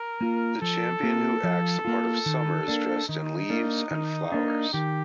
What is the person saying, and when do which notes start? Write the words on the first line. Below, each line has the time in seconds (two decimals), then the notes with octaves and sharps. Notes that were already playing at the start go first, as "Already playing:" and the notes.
The champion who acts the part of Summer is dressed in leaves and flowers.
Already playing: A#4
0.21 A#3 F4
0.61 F3 A4
1.03 A#3 F4
1.44 F3
1.85 A#3 F4
2.26 D#3
2.68 A#3 D4
3.08 D#3 D#4
3.50 A#3 D4
3.91 D#3
4.32 A#3 D4
4.73 D#3 G4